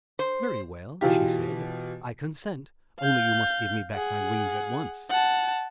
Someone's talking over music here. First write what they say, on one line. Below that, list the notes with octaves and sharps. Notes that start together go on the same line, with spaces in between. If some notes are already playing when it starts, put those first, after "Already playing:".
"Very well," she said; "I consent, only you must give me back my wings at once."
C5
B2 E3 F4 G4
F5 G6
G#4 F#5
F#5 A5